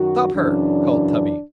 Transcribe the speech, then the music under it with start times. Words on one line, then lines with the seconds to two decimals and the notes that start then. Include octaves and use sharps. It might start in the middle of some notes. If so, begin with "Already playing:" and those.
'Stop her! called Tubby.
Already playing: F#2 D#3 F#4
0.33 F#2 C#3 E3 D4